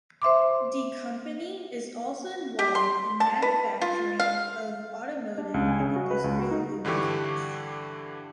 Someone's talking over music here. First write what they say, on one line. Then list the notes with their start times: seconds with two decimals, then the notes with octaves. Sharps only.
The company is also involved in manufacturing of automotive and industrial lubricants.
0.22 C5 E5 C6 D6
2.59 G4
2.75 C6
3.20 A5
3.42 B4
3.81 F4
4.19 F5
5.38 D4
5.54 C#2
5.68 G#5
5.80 C#3
5.96 F#4
6.11 B4
6.24 C#2
6.39 F#4
6.51 D#4
6.85 G2 D3 E3 G4 C#6